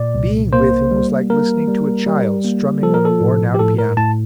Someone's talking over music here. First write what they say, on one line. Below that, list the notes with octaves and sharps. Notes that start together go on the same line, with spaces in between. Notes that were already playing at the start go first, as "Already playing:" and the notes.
Being with him was like listening to a child strumming on a worn-out piano.
Already playing: A#2 D5
C2
A#3 C5
G3
A#3 A#4
G3
G3
A#3
F3 A4
A#4
A4
A2
G4
A2 A4
A#4
A2 A5